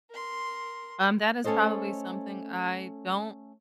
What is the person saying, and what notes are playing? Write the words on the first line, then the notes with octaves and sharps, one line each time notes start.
Um, that is probably something I don't
A#4 C6
A3 C#4 A4 C5 D#5